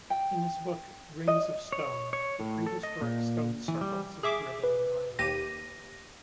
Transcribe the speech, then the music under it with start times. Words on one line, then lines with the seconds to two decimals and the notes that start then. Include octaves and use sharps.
In his book Rings of Stone: The Prehistoric Stone Circles of Britain and Ireland.
0.10 G5
1.28 D#5
1.72 C#5
2.13 C#5
2.40 A2
2.66 A4
2.83 D#5
3.01 A#2
3.68 E3
3.81 G3
4.23 G#4 E5 D6
4.64 B4
5.19 D#2 G4 A#6 D#7